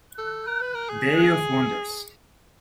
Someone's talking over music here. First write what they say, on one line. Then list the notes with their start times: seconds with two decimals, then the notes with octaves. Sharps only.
Day of wonders!
0.18 A4
0.47 A#4
0.61 B4
0.74 A#4
0.89 G#4